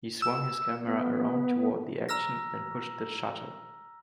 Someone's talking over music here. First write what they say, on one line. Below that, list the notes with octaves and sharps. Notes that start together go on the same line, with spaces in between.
He swung his camera around toward the action and pushed the shutter.
E6
B3
A#5 E6 F6 A#6